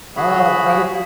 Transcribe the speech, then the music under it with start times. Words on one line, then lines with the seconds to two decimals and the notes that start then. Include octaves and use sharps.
Uh, probab
0.17 F#4 G#4 B5